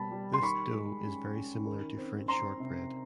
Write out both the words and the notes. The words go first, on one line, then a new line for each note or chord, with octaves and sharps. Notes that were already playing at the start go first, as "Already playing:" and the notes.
This dough is very similar to French shortbread.
Already playing: B2 G3 A#3 A5 B5
G3
C6
D#3 B5 C#6
G#3
C#4
C#4
D#3
C4
C4 A#5 C6
C3